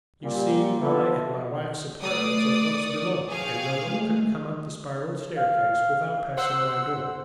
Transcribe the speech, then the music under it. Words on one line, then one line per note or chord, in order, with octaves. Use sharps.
You see my and my wife's apartments are close below, and no one could come up the spiral staircase without passing my door.
A#2 G3
B3 E4 F4 A4 B4
A3 B4 D5 D#6 C7
C#6
G#4 F5 G5 C#6
G#3 A3
F5
C5 F#5 E6